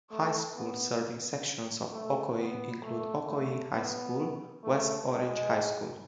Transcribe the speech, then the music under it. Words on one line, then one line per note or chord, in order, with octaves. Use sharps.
High schools serving sections of Ocoee include Ocoee High School, West Orange High School.
A3
B3
A3
B3
A3
A3
B3
A3
G#3